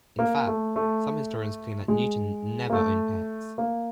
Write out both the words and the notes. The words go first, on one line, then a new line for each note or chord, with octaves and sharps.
In fact, some historians claim that Newton never owned pets.
A#3
A3
A3
G#3
A#3
A3
A#3